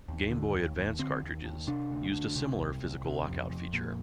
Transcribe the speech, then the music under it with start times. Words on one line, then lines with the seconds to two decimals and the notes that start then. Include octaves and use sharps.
Game Boy Advance cartridges used a similar physical lock-out feature.
0.08 D#2
0.31 D3
0.53 D#2
0.77 D#2
0.99 D3 C4
1.23 D#2
1.44 D#2
1.67 C3 D4
1.91 D2
2.13 D2
2.36 C3
2.59 C2
2.82 C2
3.05 C3
3.27 F2
3.50 F2
3.73 A#2